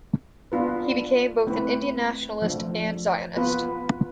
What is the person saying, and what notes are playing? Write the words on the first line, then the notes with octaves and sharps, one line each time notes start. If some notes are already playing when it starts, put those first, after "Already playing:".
He became both an Indian nationalist and Zionist.
B3 D4 F4 B4
A3 C4 E4 B4
F3 A3 D4
B3 F4 B4